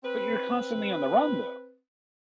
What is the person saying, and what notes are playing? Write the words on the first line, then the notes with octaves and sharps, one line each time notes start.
But you're constantly on the run, though.
C4 B4